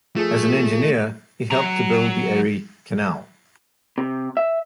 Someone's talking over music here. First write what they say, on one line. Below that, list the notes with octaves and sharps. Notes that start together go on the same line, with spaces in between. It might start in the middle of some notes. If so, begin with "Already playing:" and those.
As an engineer, he helped to build the Erie canal.
F3 A3 G#4
F#3 A#5
C3
E5